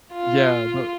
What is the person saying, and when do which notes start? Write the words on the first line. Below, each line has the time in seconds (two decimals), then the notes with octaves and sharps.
yeah, but
0.13 F4